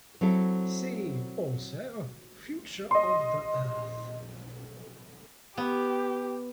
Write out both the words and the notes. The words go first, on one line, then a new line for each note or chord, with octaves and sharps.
See also Future of the Earth.
F#3 C4 E4 A4
D#5 C6
B3 G4